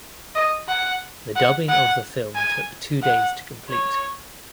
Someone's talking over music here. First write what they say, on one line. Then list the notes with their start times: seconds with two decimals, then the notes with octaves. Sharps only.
The dubbing of the film took two days to complete.
0.35 D#5
0.68 F#5
1.36 F#5
1.68 F#5
2.35 G#5
3.02 F#5
3.69 C#5